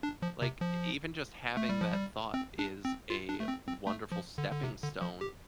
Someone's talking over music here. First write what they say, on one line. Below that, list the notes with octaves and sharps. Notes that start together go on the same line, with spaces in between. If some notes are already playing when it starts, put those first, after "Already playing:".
Like, e even just having that thought is a wonderful stepping stone
D4
F3
C3
F3
A3
G3
F3
G3
C4
D4
C4
F4
D4
A3
C4
C4
A3
F3
D3
D3
C3
D3
F3
G4